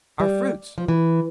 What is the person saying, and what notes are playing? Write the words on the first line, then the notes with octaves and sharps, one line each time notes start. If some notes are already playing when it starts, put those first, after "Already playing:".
Our fruits.
G3
F3
E3